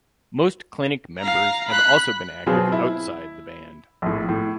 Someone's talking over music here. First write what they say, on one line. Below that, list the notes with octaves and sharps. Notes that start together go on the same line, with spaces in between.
Most Klinik members have also been active outside the band.
F5 A#5
B5 F#6
B2 F#3 C4 F4 G#4 B4
E4
A#1 A2
A2